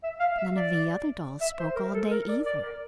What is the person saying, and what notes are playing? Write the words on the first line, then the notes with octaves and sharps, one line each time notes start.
None of the other dolls spoke all day, either.
E5
F5
E5
D5
E5
C5
A#4
A4
A#4
D5
D5
A#4